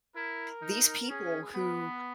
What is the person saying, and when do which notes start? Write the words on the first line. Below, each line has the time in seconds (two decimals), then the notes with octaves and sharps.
these people who
0.15 E4 A#4
0.62 D#4
1.09 C#4 G#4
1.55 B3 B4